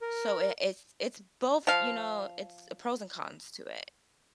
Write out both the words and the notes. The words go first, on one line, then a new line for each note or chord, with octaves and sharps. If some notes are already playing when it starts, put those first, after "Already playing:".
so it it's it's both you know. It's pros and cons to it.
A#4
F3 F5